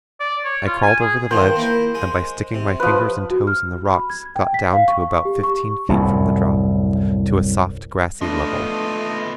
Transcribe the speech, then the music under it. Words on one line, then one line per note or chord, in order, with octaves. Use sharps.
I crawled over the ledge, and by sticking my fingers and toes in the rocks got down to about fifteen feet from the drop to a soft grassy level.
D5
C#5
F4
G#5
G#4
D#3 F3 C5
A#3 E4
G#3
C3
F3 B4
F#4
F6
B5
G#6
G5
B6
F5
C#6
G4
C#6
C2 F#2 A2
F3 A3 B3 D4 D#5